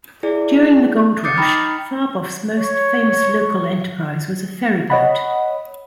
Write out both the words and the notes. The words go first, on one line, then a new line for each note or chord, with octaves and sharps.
During the Gold Rush, Firebaugh's most famous local enterprise was a ferry boat.
E4 G#4 D5
D6 D#6 G6 A6 C7 C#7
D#4 G5 A#5 B5 F6
C#5
C#5 D#5 F#5 B5